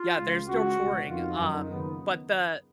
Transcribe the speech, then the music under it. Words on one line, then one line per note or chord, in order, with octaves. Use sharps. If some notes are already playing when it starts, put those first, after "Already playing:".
Yeah, they're still touring, um, but the
Already playing: F4
C#2 C#3
C#2 C#3 F#4
C#2 B2
F2 D#3 F4
F#2 D#3 D#4
D#2 C#3 B3